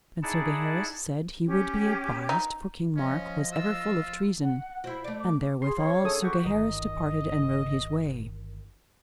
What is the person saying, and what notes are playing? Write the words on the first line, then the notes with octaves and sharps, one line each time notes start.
And Sir Gaheris said he would be avised for King Mark was ever full of treason: and therewithal Sir Gaheris departed and rode his way.
D#4 E4 G#4 D5 F#5 A5
C#4 G4
D#4
F3 C#4 D#5
F4 E6
F#5
E4 F#4 C5
A3 D5
D6
G#4 C6
C#3 C#5
G#4 A4 D#6
F#4 G4 C#6
G1 D#3 D#5